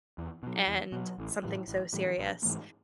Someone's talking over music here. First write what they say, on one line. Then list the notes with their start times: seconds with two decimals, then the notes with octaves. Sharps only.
and something so serious
0.18 E2
0.43 B2 F#3
0.67 E2
0.92 B2 F#3
1.18 A1
1.43 A2 E3 G3
1.68 A1
1.93 A2 E3 G3
2.18 A#1
2.43 G#2 E3 A3